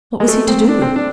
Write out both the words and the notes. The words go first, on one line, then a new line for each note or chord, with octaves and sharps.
What was he to do?
G#3
A3
C4
D4
C4
D4